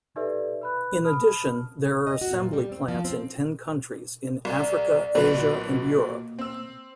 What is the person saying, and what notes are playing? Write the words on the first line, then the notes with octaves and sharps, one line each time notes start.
In addition, there are assembly plants in ten countries in Africa, Asia and Europe.
D#4 G4 A4 B4 D5 E5
B4 B5 F#6
A5 B5 D#6 F6
D#5
F#4
A#2
G3
C4
F3
C4
C2 D5
B1 A#2 B4
A#3
C4 E6